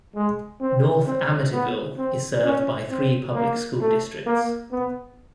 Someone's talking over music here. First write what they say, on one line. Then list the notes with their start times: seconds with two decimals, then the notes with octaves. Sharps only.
North Amityville is served by three public school districts.
0.15 G#3
0.61 C4
1.07 C4
1.52 B3
1.97 C4
2.44 C#4
2.89 C4
3.35 A#3
3.81 A3
4.26 A#3
4.71 B3